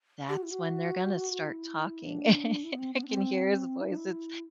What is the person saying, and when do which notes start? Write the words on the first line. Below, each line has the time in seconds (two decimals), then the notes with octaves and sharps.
that's when they're gonna start talking," and I can hear his voice, it's
0.29 G4
0.36 F#4
0.43 E4
0.51 F#4
1.47 E4
2.05 D4
2.64 E4
2.72 B3
2.79 C4
2.94 B3
3.03 D4
3.08 C4
3.81 E4
3.89 D4
3.96 E4